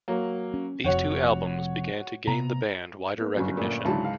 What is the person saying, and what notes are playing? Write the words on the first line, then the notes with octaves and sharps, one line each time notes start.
These two albums began to gain the band wider recognition.
F#3 A#3
C#4
F1 F2 F#4 C#5 F#5
C3 B3 A#5
A#3 B3
G1 F#2 F#3
A#2 A3
C#2 G#2 D3 F#3 E4 A5
F5